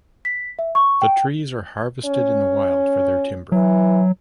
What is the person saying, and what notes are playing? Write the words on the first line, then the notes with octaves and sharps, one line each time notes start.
The trees are harvested in the wild for their timber.
B6
E5
C#6
G5
C#4
E3 F#3